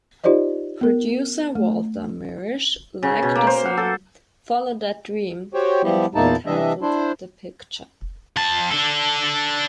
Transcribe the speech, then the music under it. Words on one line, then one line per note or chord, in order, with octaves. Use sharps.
Producer Walter Mirisch liked the song "Follow that Dream" and retitled the picture.
D#4 F4 G4 C5 D5 D#5
B3 A#4
A3
C#3
B2
A#3
C5
F#5
A4
F#4 G4 C5 C#5 G5
F3 G3 B3 E4 G4
E2 A#2 A#3 D#4 E4 A5
C3 E3 G3 D4 D#5 E5
D4 E4 C5
F2 A5
D4 A4